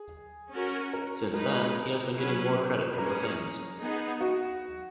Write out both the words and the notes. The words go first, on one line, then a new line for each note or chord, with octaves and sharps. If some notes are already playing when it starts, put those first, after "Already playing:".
Since then, he has been getting more credit from the fans.
Already playing: G#4
C#4 F#4 A#4
A#4
G#3 D#4 G#4 A#4 B4
F#3 C#4 G#4 B4
B4
A#3 C#4 G#4 A#4
B3 D#4 G#4
F#4